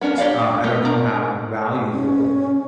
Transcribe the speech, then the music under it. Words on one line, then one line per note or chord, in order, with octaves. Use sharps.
s uh, I don't know how valuable,
B3 C#4 D4 A#4
D4 G4 C#5 D5 F5
A3 F4 G4 A#4
D4 A#4 A#5
C#4